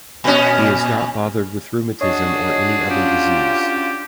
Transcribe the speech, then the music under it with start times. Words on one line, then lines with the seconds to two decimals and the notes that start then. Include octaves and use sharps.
He is not bothered with rheumatism or any other disease.
0.24 A#2 C#4
2.01 D4 F#4 G#4 C#5 D#5
2.90 C#4 F4 G4